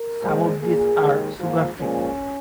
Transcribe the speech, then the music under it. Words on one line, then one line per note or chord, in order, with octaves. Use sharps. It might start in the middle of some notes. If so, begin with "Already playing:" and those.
Some of these are sugar free.
Already playing: A#4
A#2 F3 G#3
A#2 A#3 G#4
D#2 D#3 G#3
G#2 F3 A#3 F4
A#2 F3 G#3 C#4